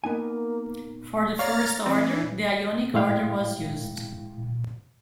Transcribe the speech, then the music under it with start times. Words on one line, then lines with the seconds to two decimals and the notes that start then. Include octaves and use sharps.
For the first order, the Ionic order was used.
0.04 A#3 B3 D#4 G#5
1.39 C#5 D5 F5 A#5 F6 A6
1.86 E3 C4
2.94 A2 G#3 E4 F5 G5